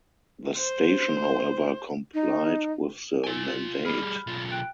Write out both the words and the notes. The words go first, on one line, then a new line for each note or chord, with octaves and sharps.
The station, however, complied with the mandate.
C5
D#4
F4 G#5 D7 G7
G3 G#4 B5 F6
B1 F4
G5 F#6 D7